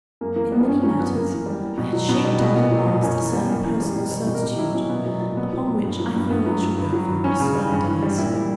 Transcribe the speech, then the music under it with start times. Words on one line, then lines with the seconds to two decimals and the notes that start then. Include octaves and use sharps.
In many matters I had shaped out at last a certain personal certitude, upon which I feel I shall go for the rest of my days.
0.21 F#2 A#3
0.36 E3 A#3
0.52 G3 B3
0.61 D4
0.68 G2 C#4
0.83 F#3 C#4
0.99 G2 B3
1.15 F#2 A#3
1.31 E3
1.46 G3
1.62 E2
1.77 B2
1.93 F#3
2.09 B2 B3
2.25 G3
2.39 B2
2.56 A#2 B3
2.71 F#3
2.87 A#2
3.02 F#2 C#4
3.18 E3
3.33 G3
3.49 F#2
3.64 E3
3.80 G3
3.96 B2
4.11 G3
4.27 B2
4.35 A#4
4.43 B2 G4
4.58 F#3 E4
4.74 B2 C#4
4.89 A#2 B3
5.06 F#3
5.21 A#2
5.37 A#2 B3
5.53 F#3
5.68 A#2
5.84 G2
6.00 F#3
6.15 G2
6.31 G2 B3
6.46 F#3
6.62 G2
6.77 G2
6.93 F#3
7.08 G2
7.24 E2 C#4
7.40 C#3
7.55 G3
7.71 G2
7.86 E3
8.03 G3
8.18 A#2 E4
8.34 G3